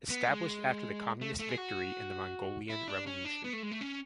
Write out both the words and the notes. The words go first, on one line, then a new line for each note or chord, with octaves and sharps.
Established after the communist victory in the Mongolian Revolution.
B3
G#3
A3
A3
G#4
F#4
E4
D4
C#4
D4
B3
A3
G#3
A3
C#4